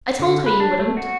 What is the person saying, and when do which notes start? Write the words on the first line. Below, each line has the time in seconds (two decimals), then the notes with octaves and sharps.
I told her you wouldn't.'
0.20 D3
0.46 B4
0.60 D4
0.79 A3
0.97 F#4